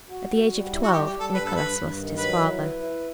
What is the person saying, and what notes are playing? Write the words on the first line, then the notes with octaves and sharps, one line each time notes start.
At the age of twelve Nickolas lost his father.
F#4
F#4
G3
E4
F#4
G3 G4
G4
G3
A4
G2 B4
A4
G2 B4
G2
D#3
F#3 B4
E4
B4
E4